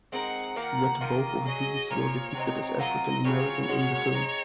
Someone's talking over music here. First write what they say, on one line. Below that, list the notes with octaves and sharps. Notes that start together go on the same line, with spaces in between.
Yet both of these were depicted as African American in the film.
G#3 C4 D#4 A#4 F#5
D#3 A#3 F4 F#5
D#3 A#3 F4 D#5
F#3 C#4 G#4 D#5
A#2 F3 A#3 C#5
C3 F#3 C4 D#4
F#3 C4 F4 A#4 D#5
C#3 F#3 C4 F4 C#5
A#2 G#3 C#4 F#4
G#3 C4 D#4